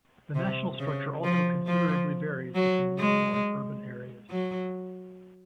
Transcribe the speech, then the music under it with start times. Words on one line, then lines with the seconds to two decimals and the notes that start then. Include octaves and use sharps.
The national structure also considerably varies between rural and urban areas.
0.35 C3
0.79 C#3
1.24 F3
1.66 F3
2.55 F#3
2.99 G#3
4.30 F#3